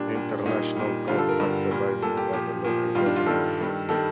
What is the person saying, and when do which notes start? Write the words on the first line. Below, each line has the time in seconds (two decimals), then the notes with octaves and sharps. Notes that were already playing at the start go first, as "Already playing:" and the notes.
International Calls are provided by the Local Government for free.
Already playing: A#2 G3 D4
0.15 A#2 G3
0.46 A#2 G3 D#4
0.77 A#2 G3
1.08 G2 D3 G3 F4
1.18 A4
1.29 A#4
1.40 G2 D3 G3
1.71 A#2 G3
2.02 A#2 G3 A4
2.17 G4
2.33 A#2 F3 G4
2.64 A#2 F3
2.95 G2 D#3 G3 F4
3.06 D4
3.16 F4
3.27 G2 D#3 G3 A4
3.58 G2 D#3 G3
3.89 D#3 G3 A4